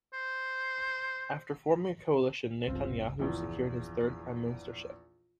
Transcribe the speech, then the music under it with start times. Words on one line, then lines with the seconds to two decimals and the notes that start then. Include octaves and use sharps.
After forming a coalition, Netanyahu secured his third prime ministership.
0.13 C5
2.68 G1 C#2 C4 F4
3.19 A#1 E2